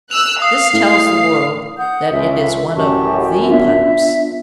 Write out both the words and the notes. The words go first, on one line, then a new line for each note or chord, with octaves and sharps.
This tells the world that it is one of THE pipes.
E6 F#6 F7
F5 D#6 C7
A2
F#5 D#6 G6
C#2 E5
A1 F#2 G4 A5 C#6
B3 D4 F4 E5